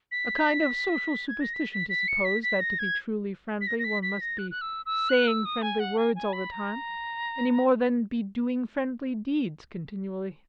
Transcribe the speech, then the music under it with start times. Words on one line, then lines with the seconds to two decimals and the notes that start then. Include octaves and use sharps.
A kind of social superstition, to suppose that to be truly friendly one must be saying friendly words all the time, any more than be doing friendly deeds continually.
0.12 B6
1.28 G#6
1.41 A#6
1.54 B6
1.73 B6
1.90 B6
2.08 C#7
2.25 B6
2.43 B6
2.60 A#6
2.79 G#6
3.61 B6
3.67 A#6
3.79 A#6
3.84 B6
4.03 B6
4.21 A#6
4.38 F#6
4.51 F#6
4.61 E6
4.86 E6
5.09 F#6
5.28 E6
5.45 D#6
5.62 G#5
5.80 F#5
5.98 G#5
6.16 G#5
6.33 B5
6.52 A#5